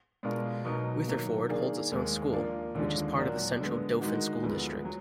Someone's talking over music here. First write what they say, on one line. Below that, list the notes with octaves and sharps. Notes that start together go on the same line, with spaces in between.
Rutherford holds its own school, which is part of the Central Dauphin School District.
B2 G#3 D4 F4 A#4
B2 F#3 B3 D#4 A#4
D#3 F#3 A#3
D#3 A#3 D4 G#4
D#2 D#3 G#3
F3 A#3 D4
D#2 D3 F3 G#3 D4
A#2 F#3 D4 F#4 A#4
D3 G#3 B3
D#3 G#3 D#4 F#4
D2 D3 F3 G#3 B3
F#3